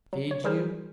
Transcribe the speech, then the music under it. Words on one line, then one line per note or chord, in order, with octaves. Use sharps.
Feed you?
F#3
C#5
E3 G3 G#4 A#4 C5